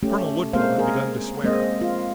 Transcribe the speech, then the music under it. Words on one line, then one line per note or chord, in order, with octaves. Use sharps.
Colonel Woodville had begun to swear.
A3 C#4 G4
G#3 A#3 C4 C5 F5
G#4 A#4
G#3 A#3 C4 C5 D#5
F4